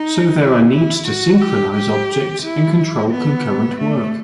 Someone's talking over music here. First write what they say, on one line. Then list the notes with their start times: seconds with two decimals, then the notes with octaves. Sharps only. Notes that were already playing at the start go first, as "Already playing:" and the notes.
So, there are needs to synchronize objects and control concurrent work.
Already playing: D#4
0.39 E4
0.74 E4
1.08 F#4
1.41 G4
1.75 G4
2.43 E4
3.10 B3
3.77 A3